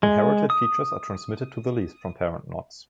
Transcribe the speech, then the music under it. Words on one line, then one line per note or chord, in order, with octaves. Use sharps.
Inherited features are transmitted to the leaves from parent knots.
G#3
D#6